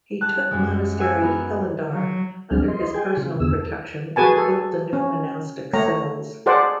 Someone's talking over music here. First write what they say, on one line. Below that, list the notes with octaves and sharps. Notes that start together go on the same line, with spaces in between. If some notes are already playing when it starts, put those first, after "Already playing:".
He took monastery Hilandar under his personal protection and built the new monastic cells.
G3 A5 F#6
F#2 G#3
F#5 G#5 E6
B3 D#4 A#4
F#3
D2 F3 C4 D4 G#4 F6
D#5 C6
G#4 G5 G#5
C#3 F4
E2 D3 B3 G#4 E6
A4
F#4 G#4 B4 G#5 A5
A4
C#4
A3 C#5 A#5
G#4 A4 C5 D5 F#5